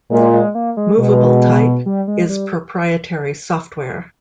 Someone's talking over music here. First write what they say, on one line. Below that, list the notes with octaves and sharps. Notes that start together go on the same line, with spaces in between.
Movable Type is proprietary software.
A#2 G#3
G#3
A#3
G#3
B2 G#3
G3
G#3
G3